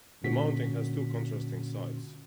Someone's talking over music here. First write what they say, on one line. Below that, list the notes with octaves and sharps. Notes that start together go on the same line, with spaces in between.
The mountain has two contrasting sides.
A#2 D3 C#4 F#4 B6